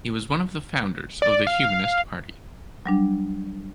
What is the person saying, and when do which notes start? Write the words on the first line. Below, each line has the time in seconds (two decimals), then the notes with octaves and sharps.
He was one of the founders of the Humanist Party.
1.22 D5
1.47 F5
2.86 F#3 G3 D4